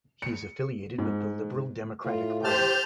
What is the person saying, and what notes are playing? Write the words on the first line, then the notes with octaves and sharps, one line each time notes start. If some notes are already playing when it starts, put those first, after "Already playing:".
He is affiliated with Liberal Democratic Party.
C#7
G#2
A2 F4
G4 C5 A5 F6 G6